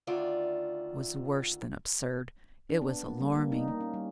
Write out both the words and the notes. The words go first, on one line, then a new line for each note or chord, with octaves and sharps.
It was worse than absurd, it was alarming.
D2 D#3 F4 D5 E5
D4
B3
A#3
G3
A#3
D#4
A#3
C#4
G3